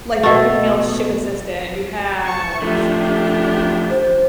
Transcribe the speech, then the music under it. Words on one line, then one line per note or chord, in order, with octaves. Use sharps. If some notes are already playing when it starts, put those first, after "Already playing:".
like, the female ship assistant, you have
B2 A3
A5 C#6
F3 A3 D4 G4
C5